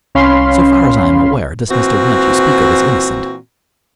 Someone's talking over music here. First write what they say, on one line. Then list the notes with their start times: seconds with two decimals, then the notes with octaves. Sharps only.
So far as I am aware, this Mr. Wrent you speak of is innocent.
0.15 C2 C#4 F5 B5 C6
1.69 A#2 E3 C4 F#4